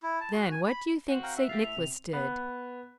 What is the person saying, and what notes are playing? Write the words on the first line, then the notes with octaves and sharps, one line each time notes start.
Then what do you think St. Nicholas did?
E4
A5
F#4
G#5
B5
C4 F#4 F#5
F5 G5 A#5
E5
G4 F5 A6
A2 F7
C3
B3